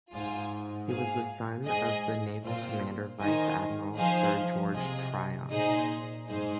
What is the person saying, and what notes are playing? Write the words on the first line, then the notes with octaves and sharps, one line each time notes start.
He was the son of the naval commander Vice-Admiral Sir George Tryon.
G#2 F4 C5 G#5
G#4 F5 G#5
G#2 G#4 D#5 G#5
A#2 C4 F4 C5
D#3 D#4 C5 D#5 G#5
F3 D#4 G#4 C5 F5 G#5
F3
C3 F4 G#4 D#5 G#5
A#2 D#4 G#4 C5 D#5
G#2 D#4 G#4 C5